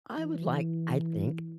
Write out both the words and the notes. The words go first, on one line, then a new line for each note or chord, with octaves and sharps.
I would like I think
E3